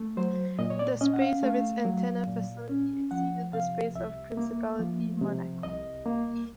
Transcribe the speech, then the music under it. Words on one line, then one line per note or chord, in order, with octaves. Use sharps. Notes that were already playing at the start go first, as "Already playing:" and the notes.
The space of its antenna facility exceeded the space of principality Monaco.
Already playing: A3
F#3 C5
A#2 D#5
C#5
D5
C#4 D#5
F#5
F5
A3 F5
F#3
A#2
C#4
F3 F#5
C3 F5
C2 E5
A#3
F3
C3
C2 D#5
A#3